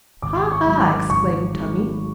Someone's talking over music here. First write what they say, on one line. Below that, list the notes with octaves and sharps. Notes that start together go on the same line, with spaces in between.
"Ha, ha!" exclaimed Tommie.
G#1 D6
C#6
G#2 F#3
D6
G#1 C#6
G#2 F#3